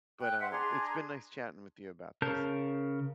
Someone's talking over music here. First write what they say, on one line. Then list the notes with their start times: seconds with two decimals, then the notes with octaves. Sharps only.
But, uh, it's been nice chatting with you about this.
0.21 G5 F#6
0.39 C5 E5 F#5
0.51 D4 G#4 A#5 C6
2.22 C#3 A#4 A5 G6